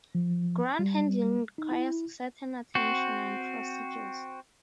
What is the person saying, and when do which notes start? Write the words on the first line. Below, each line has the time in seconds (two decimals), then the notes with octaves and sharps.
Ground handling requires certain attention and procedures.
0.15 F3
0.79 G3
1.58 D#4
1.72 E4
2.75 C4 F#4